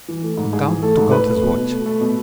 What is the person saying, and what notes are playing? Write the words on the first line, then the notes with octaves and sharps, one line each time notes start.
The count took out his watch.
E3
A3
G#2
G#2 G#4
E3
A3 A4
G#2
A3 B4
A3
B2
B2
A3
A3
B2